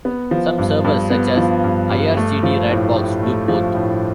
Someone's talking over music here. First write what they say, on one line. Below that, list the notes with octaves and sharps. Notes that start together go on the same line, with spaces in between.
Some servers, such as ircd-ratbox, do both.
B3
F3
G2
G2
B3
F3
G2
G2
A3
F3
A2
A2
A3
F3
A2